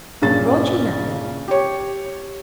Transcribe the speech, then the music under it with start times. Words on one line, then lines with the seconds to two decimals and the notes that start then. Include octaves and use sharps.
'I've brought you nothing.
0.22 G2 A#2 C#3 A6
1.48 G4 C#5